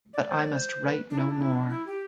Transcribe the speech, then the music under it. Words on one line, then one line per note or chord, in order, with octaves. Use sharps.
But I must write no more.
D5
C5
D5
C5
B4
D4
E4
D4
E4
D4
E4
G4